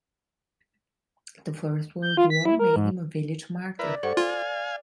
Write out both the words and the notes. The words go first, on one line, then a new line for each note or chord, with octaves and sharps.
The First World War made him a village martyr.
G6
F4
B6
E4
A#4
G#2
E4 A#4 B4 D5
G2 A4 C5 F#5 C#6
F4 F5 G#5